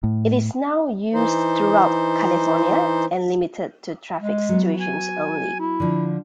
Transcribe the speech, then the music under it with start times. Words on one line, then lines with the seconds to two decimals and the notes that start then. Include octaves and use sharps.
It is now used throughout California and limited to traffic situations only.
0.04 A2
1.14 E3 D#4 C5
4.20 G#3
4.49 F#3 B3
4.80 G#5
5.59 E4
5.80 D3 F3